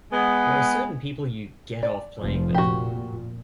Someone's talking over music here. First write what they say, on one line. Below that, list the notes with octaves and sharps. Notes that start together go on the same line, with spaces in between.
There are certain people you "get off" playing with.
G#3 B3
D5
F1 F2 F3
A#2 F#4 G4